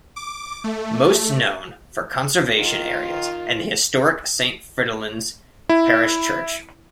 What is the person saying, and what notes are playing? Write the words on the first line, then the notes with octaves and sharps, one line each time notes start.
Most known for conservation areas and the historic Saint Fridolin's Parish Church.
D6
A3
D#3 F4
E4